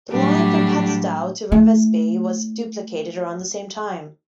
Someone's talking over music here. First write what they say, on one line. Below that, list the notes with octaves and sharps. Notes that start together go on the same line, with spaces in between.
The line from Padstow to Revesby was duplicated around the same time.
A2 F#3 G3 D4 G4
A3 E4